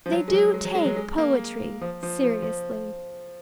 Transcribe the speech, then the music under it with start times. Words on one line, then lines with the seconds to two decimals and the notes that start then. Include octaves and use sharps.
They do take poetry seriously.
0.06 F3
0.12 F#3
0.28 G#3
0.33 F#3
0.54 G#3
0.65 F#3
0.75 G#3
0.86 F#3
0.96 G#3
1.18 A#3
1.81 F3
2.03 F3
2.23 F3
2.42 F3